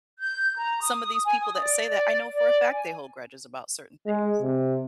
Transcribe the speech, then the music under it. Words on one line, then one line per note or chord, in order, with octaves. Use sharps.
some of these people that say that I know for a fact they hold grudges about certain things.
G6
A#5
D#6
G#5
D#6
D5
D5
D5
G#5
G#3
C3